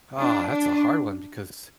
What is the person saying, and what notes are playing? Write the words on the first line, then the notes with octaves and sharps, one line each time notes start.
Ah, that's a hard one because
D4
D4